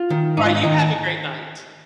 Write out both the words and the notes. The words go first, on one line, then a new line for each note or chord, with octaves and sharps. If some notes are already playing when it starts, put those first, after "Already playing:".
Alright, you have a great night.
Already playing: F4
D#3
G#2 D#4
F4
D#4
D#3 D#5